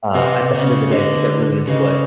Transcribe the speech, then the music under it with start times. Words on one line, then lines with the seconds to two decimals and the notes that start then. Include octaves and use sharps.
uh, at the end of the day, I think that really is what
0.15 C3 G4 B4 D#5
0.54 C#3
0.91 D3 G4 B4 D#5
1.67 C#3 G4 B4 D#5